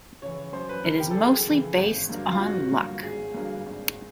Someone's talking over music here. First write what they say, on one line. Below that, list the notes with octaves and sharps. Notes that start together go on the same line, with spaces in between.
It is mostly based on luck.
C#3 E3 C#5
F#2 C5
B4
C#3 E3 A#4
G4
A4
F#2 G#4
C#3 E3
G#1
G2 D3 F#3 A#3
F4
G#1 F#4
G2 D3 F#3 A#3
G#1 G#4
G2 D3 F#3 A#3
G#1